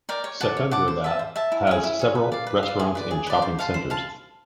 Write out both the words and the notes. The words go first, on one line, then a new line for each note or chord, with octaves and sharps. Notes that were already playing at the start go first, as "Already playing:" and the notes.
Secunderabad has several restaurants and shopping centres.
A#4 D5 G5
C#5
F#5 A5 D6
C#5
F#5 A5 D6
C5
E5 A5
C5
E5 A5
E4
G#4 C#5
E4
G#4 C#5
B4
D5 F5
B4
F5
D5
G#4
B4 D5
G#4
B4 D5
C5
F5 A5 C6
C5
F5 A5 C6